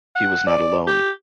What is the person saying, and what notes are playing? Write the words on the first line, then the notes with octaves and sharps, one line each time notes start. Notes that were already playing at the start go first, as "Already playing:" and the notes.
He was not alone.
F#5
D5
G4